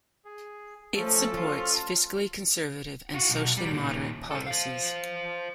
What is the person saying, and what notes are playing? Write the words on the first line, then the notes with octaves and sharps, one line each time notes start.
It supports fiscally conservative and socially moderate policies.
G#4
F3 A3 C#4 A4 A5
F4
F4 F#4
B1
F#3 G3
A#2 D#3
A4 C5
C5 F5